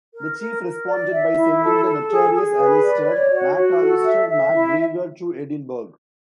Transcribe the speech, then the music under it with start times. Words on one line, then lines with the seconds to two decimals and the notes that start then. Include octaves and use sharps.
The chief responded by sending the notorious Alistair MacAllister MacGregor to Edinburgh.
0.14 A#4
0.38 A#4
0.63 A#4
0.88 D5
1.11 E5
1.36 E4
1.60 A4
1.84 A4
2.09 G#4
2.34 G#4
2.58 B4
2.83 D5
3.06 C#5
3.31 F#4
3.56 F#4
3.80 A4
4.04 E5
4.29 E5
4.53 E4